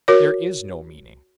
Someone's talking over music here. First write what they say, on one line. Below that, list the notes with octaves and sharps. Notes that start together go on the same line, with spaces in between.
There is no meaning.
F#4 A#4 C#5